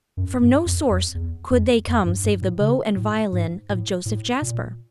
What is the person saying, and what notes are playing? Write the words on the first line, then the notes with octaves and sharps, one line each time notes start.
From no source could they come save the bow and violin of Joseph Jasper!
F#2
G2
F2
F2
E2
F2
F2
G2
G2
A2
C#3
A2
G#2
A2
A2
A#2